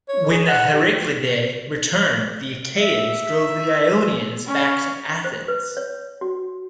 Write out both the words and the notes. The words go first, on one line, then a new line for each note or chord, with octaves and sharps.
When the Heracleidae returned the Achaeans drove the Ionians back to Athens.
C#5
G#4
F#5
G4
E5
C#4
C5
B4
C#5
F#4